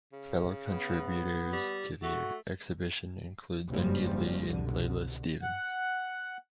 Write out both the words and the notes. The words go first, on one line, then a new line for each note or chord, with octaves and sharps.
Fellow contributors to the exhibition include Lindy Lee and Leyla Stevens.
C#3
B3
G3
A3 F#4
F#1 G2 F3 G3
C2 B2 D3
F#5